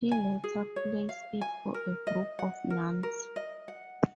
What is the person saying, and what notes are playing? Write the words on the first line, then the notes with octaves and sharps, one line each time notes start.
He later plays it for a group of nuns.
G#5
G#4
C#5
F5
G#5
A#4
D#5
F#5
A#4
A#4
D#5
F#5